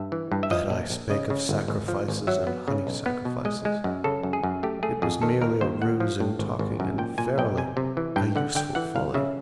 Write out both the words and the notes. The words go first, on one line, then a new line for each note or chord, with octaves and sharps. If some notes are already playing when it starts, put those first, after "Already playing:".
That I spake of sacrifices and honey-sacrifices, it was merely a ruse in talking and verily, a useful folly!
Already playing: G2 E5
E3
G2
E5
F3 D#5
A#1
A#1
C#3 D#5
C#3
G1
G#1
F3
G#1
F#3 E5
B3
C#3
B1
B3
B2
G#3 D#5
G#3
F#2
C#3 A4
F#2
G#4
F#2
A3 G4
A3 G#4
F2 G#4
D#3 A4
D#2 A#4
D#2 C5
A2 F#5
F3
A2
G#1
G#1
F#2
A#2 G5
A#2 G#5
B1 G5
C3 G#5
C3
E3
G2 G5
D3 F#5
D3 G5
E3 F#5
G1 F5
C#3 E5